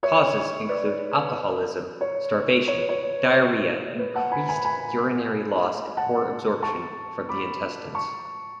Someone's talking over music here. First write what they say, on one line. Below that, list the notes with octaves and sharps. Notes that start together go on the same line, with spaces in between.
Causes include alcoholism, starvation, diarrhea, increased urinary loss, and poor absorption from the intestines.
C#5 E5
B4 D5
C#5
C#5
B4
C#5
B4
F#5 A5
G#5 B5
G#5 B5
G#5 B5
F#5 A5
A5 C#6
B5 D6
A5 C#6